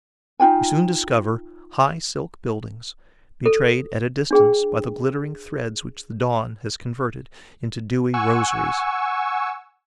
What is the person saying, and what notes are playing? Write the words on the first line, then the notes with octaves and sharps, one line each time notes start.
We soon discover high silk buildings, betrayed at a distance by the glittering threads which the dawn has converted into dewy rosaries.
D#4 F4 G5 G#5
A4
D4 G#4 G5
F#5 G#5 C#6 E6